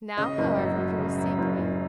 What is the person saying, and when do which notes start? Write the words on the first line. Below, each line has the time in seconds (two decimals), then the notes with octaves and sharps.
Now, however, you will seek me.
0.17 C#3 D#5
0.38 F#1
0.58 F#2
0.78 F#2
0.99 C#3
1.18 F#2
1.38 F#1
1.58 F#1